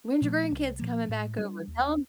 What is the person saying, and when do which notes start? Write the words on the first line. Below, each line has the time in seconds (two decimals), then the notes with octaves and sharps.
when's your grandkids coming back over? Tell 'em
0.22 A#2 F3 A3
0.51 C2
0.79 A#2 F3 A#3
1.09 A2
1.38 G3 D4
1.68 D#2